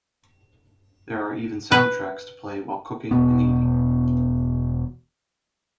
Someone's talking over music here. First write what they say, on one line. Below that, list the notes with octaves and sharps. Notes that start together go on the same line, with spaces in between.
There are even soundtracks to play while cooking and eating.
B4
E1 B2 B3